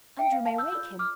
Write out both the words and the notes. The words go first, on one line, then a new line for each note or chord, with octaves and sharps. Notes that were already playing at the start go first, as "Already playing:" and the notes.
"Andrew may wake him."
E5 G5
F5
F5 A5
E6 G6
F4 A4 D5 E6 G6
D6 F6